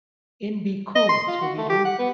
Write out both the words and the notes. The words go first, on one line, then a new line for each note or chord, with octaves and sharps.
In Be Cool, Scooby-Doo!
D#5
C6
F4
F#4
A3
G4
F#5
B3